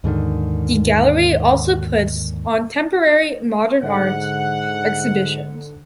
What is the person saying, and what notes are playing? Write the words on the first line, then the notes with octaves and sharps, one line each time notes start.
The gallery also puts on temporary modern art exhibitions.
D#2 G#2 D3 D#3
G#2 D3 F#5